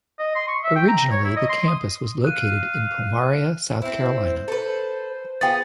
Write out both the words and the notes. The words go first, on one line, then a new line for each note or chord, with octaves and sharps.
Originally, the campus was located in Pomaria, South Carolina.
D#5
C6
C#6
E5
G5
A#5
C#5
E4
D#5
C6
D#6
F5 F#6 D#7
C4 E4 C5
A4 B4
B3 F4 G#4 G5 A6